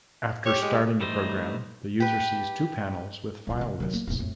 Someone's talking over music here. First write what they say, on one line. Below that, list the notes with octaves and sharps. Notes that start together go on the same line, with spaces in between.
After starting the program the user sees two panels with file lists.
G4 C#5
G#3
E3 G3 A3 D#4 C5
G4 B4
G3 F4
D3
D#3 F#3
A#3
E1 G#2
F2 A2